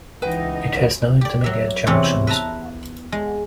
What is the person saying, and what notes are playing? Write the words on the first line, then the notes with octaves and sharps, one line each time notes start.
It has no intermediate junctions.
C#2 E3 D#4 B4 D#5 F#5 G5
G4 D5
F#3 E5
E2 C3 E3 C4 C#5 D5
E4
B4 E5 A5 A#5
G#3